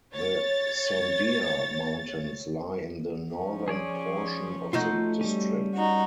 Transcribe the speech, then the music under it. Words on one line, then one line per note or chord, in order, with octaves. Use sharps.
The Sandia Mountains lie in the northern portion of the District.
C#5 A6
F3 C#4
G#4 C#5 D5
A3 D#4 F4 F#4 G6
G3 C#4
D#4 F#4